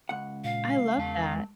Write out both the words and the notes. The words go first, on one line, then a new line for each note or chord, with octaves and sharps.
I love that.
C#2 F#5
A#2 F5
E2 G#3 A5